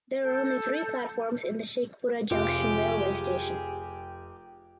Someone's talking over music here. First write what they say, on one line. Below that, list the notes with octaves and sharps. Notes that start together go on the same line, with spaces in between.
There are only three platforms in the Sheikhpura Junction railway station.
A4 G6
F1 F4 G4 G#4